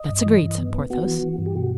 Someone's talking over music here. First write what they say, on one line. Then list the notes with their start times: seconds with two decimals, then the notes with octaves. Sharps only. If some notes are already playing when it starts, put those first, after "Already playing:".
"That's agreed," said Porthos.
Already playing: D#5
0.09 G2
0.25 E3
0.42 G2
0.58 B3
0.74 B3
0.90 B3 F#4
1.06 E3
1.23 E3
1.38 G2
1.46 G4
1.55 B2 F#4